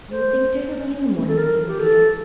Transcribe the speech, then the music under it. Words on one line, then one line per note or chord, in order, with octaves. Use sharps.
"You will think differently in the morning," said Medea.
C5
A4
A#4
G4
A4